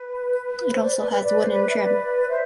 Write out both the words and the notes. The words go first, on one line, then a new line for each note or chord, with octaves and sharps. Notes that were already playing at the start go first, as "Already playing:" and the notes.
It also has wooden trim.
Already playing: B4
C5
B4 D5
B4 D5
B4 D5
E5
B4 D5
C5
B4 D5
E5
B4 D5
C5 E5